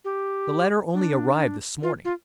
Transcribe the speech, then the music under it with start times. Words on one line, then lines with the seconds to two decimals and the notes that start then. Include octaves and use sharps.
The letter only arrived this morning.
0.05 G4
0.94 D4
1.83 F4
2.05 F4